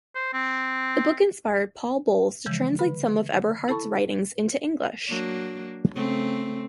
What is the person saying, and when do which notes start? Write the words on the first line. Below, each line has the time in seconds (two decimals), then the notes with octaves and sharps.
The book inspired Paul Bowles to translate some of Eberhardt's writings into English.
0.15 C5
0.33 C4
2.46 C#3 E3 F3 G#3
2.79 D3 B4 B5
3.68 E4 A4 A5 B5 C#6
5.08 F#3 A#3 D4
5.94 C#3 A3 C4